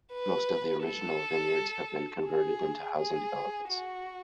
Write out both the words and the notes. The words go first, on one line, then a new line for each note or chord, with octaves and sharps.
Most of the original vineyards have been converted into housing developments.
B4
A4
G#4
G#4
F#4